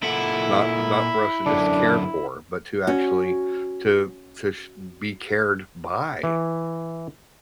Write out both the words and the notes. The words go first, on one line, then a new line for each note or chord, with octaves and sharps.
not not for us to just care for, but to actually to to sh be cared by.
A#2 E4 A4 F#5
F#2 D3 D4
C#4 F#4
E3